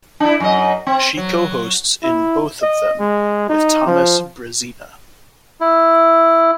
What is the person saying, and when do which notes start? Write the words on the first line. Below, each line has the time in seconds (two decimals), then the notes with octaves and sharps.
She co-hosts in both of them with Thomas Brezina.
0.20 D4 E4
0.40 F#2 A#4 D#5
0.87 C4
1.17 F#3
2.03 E4
2.62 D#5
3.00 G#3
3.49 D#4
3.87 F3
5.61 E4